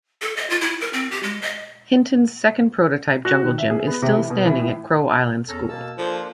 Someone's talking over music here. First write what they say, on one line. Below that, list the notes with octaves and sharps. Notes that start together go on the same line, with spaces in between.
Hinton's second prototype jungle gym is still standing at Crow Island School.
A4
D#5
F4
E4
A#4
C4
G4
G#3
D#5
F#4
D#3
E5
G#4
B3
C3
E3
B2
E3
A2
E2 C#4 A4 A#5
B2 A#3 A5 E6
F3 A#3 D4 A4 C5